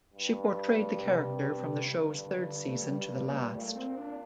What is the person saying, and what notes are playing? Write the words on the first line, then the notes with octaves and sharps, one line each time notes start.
She portrayed the character from the show's third season to the last.
G2
C3
C3
G2 D3
D3
A3
F#3
G3
A#3
G3
A#2 A3
C4
D4